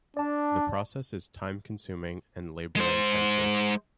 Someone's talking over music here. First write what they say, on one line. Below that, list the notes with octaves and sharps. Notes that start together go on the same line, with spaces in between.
The process is time-consuming and labor-intensive.
D4 D5 A5
G#3 C5